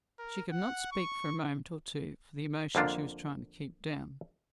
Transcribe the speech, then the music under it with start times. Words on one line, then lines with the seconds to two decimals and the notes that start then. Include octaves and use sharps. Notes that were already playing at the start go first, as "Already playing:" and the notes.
She could not speak for a moment or two for the emotion she was trying to keep down.
0.19 A#4
0.52 F#5
0.92 C#6
2.75 F2 D3 A#3 D4 F4